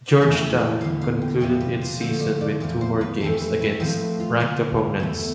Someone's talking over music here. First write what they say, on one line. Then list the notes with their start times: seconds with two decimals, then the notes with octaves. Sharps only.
Georgetown concluded its season with two more games against ranked opponents.
0.21 F2 E3 A3 E4 E5
0.42 G5
0.61 G5
0.81 E2 D3 G3 F5
1.01 F5
1.22 G4
1.40 F2 C3 G3 D4 F4 G4
1.61 B4
1.81 C5
2.00 D3 F3 A3 C4 C5
2.20 D5
2.41 D5
2.60 E2 D3 F3 A3 D5
2.81 C5
3.01 B4
3.21 F2 E3 A3 C4 A4
3.41 B4
3.61 B4
3.80 A2 F3 A3 C4 B4
4.01 B4
4.20 F4
4.40 D3 G3 D4 F4
5.00 E2 B2 A3